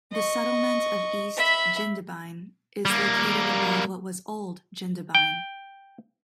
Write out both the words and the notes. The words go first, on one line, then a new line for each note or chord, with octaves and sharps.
The settlement of East Jindabyne is located above what was Old Jindabyne.
D#5 C#6
E5 B5
G3 A#3
G5